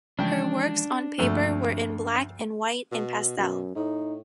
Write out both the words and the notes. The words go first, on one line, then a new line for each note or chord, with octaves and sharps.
Her works on paper were in black and white and pastel.
C#3 E3 F3 G#3 D4 G5
D2 G2 A#2 F3 A3 C4
B2
F#2 B2
A2 D#4